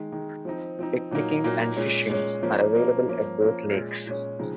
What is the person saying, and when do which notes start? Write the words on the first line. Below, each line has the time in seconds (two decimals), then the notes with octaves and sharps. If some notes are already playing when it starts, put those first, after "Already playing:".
Picnicking and fishing are available at both lakes.
Already playing: D#3 G#3 D#4
0.12 D#3 G#3 D#4
0.45 F3 C4 D#4
0.79 F3 C4 D#4
1.11 A#2 F#3 A#3 D#4
1.44 A#2 F#3 A#3 D#4
1.77 A#2 G#3 C#4
2.10 A#2 G#3 C#4
2.43 F3 A#3 C#4
2.75 F3 A#3 C#4
3.08 F3 A#3 C#4
3.41 F3 A#3 C#4
3.74 A#2 G#3 C#4
4.06 A#2 G#3 C#4
4.39 C#3 F3 G#3 C4 D#4